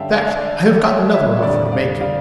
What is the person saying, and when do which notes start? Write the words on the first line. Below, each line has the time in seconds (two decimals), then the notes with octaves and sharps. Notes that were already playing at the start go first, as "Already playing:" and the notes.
In fact, I have got another offer to make you.'
Already playing: G2 D3 G3 C#4 E5 F5 G5 A5
0.15 D5 F5
0.37 D5
0.86 C#5 E5
1.14 C#5 E5
1.43 F2 D3 G3 D5
1.72 D5 F5
2.01 D5 F5